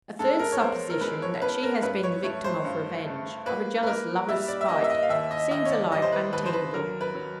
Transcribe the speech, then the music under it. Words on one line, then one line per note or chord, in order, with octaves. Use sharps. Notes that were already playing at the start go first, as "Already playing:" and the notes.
A third supposition, that she has been the victim of revenge--of a jealous lover's spite--seems alike untenable.
G#3 A4
A#4
C#5
B3 C5
A#4
G#3 B4
C#5
B3 B4
A#4
G2 B4
C#5
A3 C#5
C5
G2
A3
A#3 B4
B4
A#3 A#4
G3 E5
D5
E5
A#3 D#5
E5
D#5
F5
D#2 E5
D#5
D#2 D#5
C#5
D5
G3 D#5
C5
B4
D#2 B4
C5
B4
F#3 A#4
B4
F#3